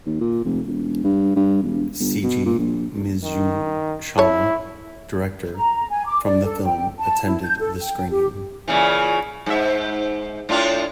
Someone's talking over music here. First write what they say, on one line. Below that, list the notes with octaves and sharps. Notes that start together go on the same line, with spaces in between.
Seiji Mizushima, director from the film, attended the screening.
D#2
A#2
F1
E1
G2
G2
E1
G1
B2
A#2
A#1
D#3
E4 A4 C#5
A#5
G#5
D6
D5
A4
G5
A5
E4
G6
A4
G5
G4
A#2 C#3 E3
G#2 E5
A2 D4 F4